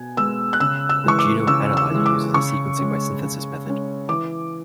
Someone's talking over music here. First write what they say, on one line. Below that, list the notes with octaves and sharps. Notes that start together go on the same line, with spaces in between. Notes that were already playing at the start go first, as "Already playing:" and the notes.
The Genome Analyzer uses a sequencing by synthesis method.
Already playing: B2 B3 G#5
G#3 B3 E6
F#6
C#3 E6
E6
E3 G#3 C#6
D6
C#3 E6
E6
E3 G#3
D6
C#3 C#6
G#3 C#4
C#3
G#3 C#4
E3 D6